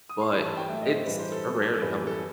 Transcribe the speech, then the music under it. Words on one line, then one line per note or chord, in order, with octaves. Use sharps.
but it's rare to come by.
D#6
C6
G2 E3 G3 B5
A5
G5
A2 F#3 A3 E5
D#5
C5
G2 E3 G3 B4
C5
A4
B2 F#3 A3
A4
F#2 E3 G3 B4
B4
A4